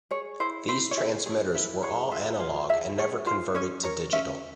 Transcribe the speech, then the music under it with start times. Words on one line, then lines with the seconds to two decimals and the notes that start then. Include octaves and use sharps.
These transmitters were all analog and never converted to digital.
0.11 G#4 C#5
0.40 E4 C5
0.68 E4 C5
0.91 C#5
0.97 G#4 E5
1.26 G#4 C#5
1.55 E4 E5
1.83 G#4 C#5
2.11 F4 E5
2.40 F4
2.69 G#4 E5
2.98 G#4 C#5
3.26 F4 C5
3.55 C#4 C#5
3.83 A#4 C#5
4.12 C#4 E5